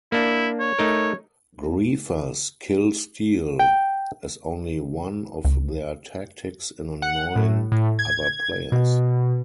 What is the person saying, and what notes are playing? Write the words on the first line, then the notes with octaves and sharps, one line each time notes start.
Griefers kill steal as only one of their tactics in annoying other players.
A#3 D4 E4
C#5
A3 D#4 A#4
G5
C#2
F#5
A2
A2
G#6
B2